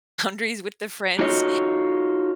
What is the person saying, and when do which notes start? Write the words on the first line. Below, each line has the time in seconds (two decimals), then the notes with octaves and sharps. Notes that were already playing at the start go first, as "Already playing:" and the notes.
boundaries with the friends.
1.19 D#4 F4 F#4 A4 C#5 D#5